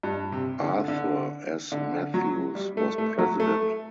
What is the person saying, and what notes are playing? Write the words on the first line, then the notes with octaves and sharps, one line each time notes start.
Arthur S. Matthews was President.
G2
C3
D3
D3
D3
F#3
G3
A3
A3
F#3
A3